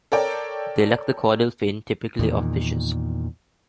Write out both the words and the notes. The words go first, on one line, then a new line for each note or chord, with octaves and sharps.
They lack the caudal fin typical of fishes.
A4 A#4 C#5 D5 G5
E2 A#2 D#3